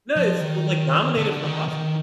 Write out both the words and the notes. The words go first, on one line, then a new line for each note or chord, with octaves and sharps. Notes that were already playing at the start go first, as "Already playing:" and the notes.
No, it's, well, like, nominated for Oscars.
F3
D#3
D3
D3
D#3
D#3